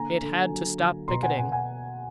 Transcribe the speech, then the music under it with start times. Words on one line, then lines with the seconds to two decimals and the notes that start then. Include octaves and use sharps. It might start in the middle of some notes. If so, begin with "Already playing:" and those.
It had to stop picketing.
Already playing: D3 A#3 G#5 A#5
0.22 D3
0.51 F#3
0.80 D3
1.08 B2 A#5 C6
1.23 F#5 G#5
1.37 B2 F#5 G#5
1.52 F#5 G#5